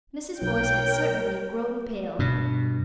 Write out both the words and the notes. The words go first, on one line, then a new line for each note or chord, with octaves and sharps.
Mrs. Boyce had certainly grown pale.
B1 A#4 C#5 G5
G2 B2